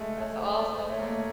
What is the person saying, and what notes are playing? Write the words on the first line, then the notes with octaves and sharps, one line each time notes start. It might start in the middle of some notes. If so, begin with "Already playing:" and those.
That's awesome.
Already playing: G#3 A3
C#5
C5
D5
C5
A3 C#5
A#3
A3